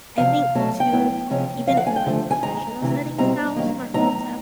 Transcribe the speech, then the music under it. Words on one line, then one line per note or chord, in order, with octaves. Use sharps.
I think, too, even in, like, professional settings now, smartphones have,
E2 C3 F3 F5
E2 B2 F#3 A3 A5
G5
A2 F#3 B3 E4
C3 F3 G#3 C#4
F#2 C#3 F3 F5
F#5
G#5
G5
G2 D3 F3 A3
G#5
G#2 D#3 G#3 A#5
D2 C3 E3
B2 G3 C4 E4 A#5
G2 D#3 F#3 A#3
A2 F#3 B3 D#4 A#5